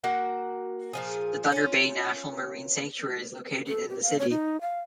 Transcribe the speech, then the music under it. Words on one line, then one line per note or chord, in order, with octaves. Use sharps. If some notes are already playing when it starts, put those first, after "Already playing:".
The Thunder Bay National Marine Sanctuary is located in the city.
A#3 F#4 F#5 G5
A#2 F3 G#4
C#4 F4
A4
G4
F5
C#5
D#4
F5